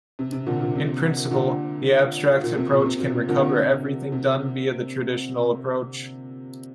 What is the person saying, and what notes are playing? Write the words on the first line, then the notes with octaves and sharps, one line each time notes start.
In principle the abstract approach can recover everything done via the traditional approach.
C3
C3
A#2 D3
A#2
C3
A#2 D3
A#2
C3
A#2
C3
A#2
C3
A#2 D3
C3
C3